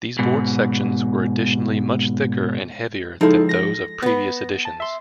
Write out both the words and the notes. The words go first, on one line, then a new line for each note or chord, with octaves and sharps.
These board sections were additionally much thicker and heavier than those of previous editions.
G#2 B2
F3 G#3 D#4 E4 A4
A#6
B3 B4
A5
E5 C6